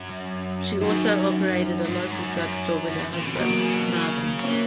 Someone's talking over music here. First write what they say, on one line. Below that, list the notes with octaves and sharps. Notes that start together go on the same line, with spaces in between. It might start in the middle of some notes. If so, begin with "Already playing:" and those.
She also operated a local drugstore with her husband, Marvin.
Already playing: F#2
F#2 D#3 F#3
G#2
F#2
F#2
F#2 E3
A#2
C#3
B2
A#2
B2 F#3 A#3
C#3
B2
C#3
E3 A#3 C#4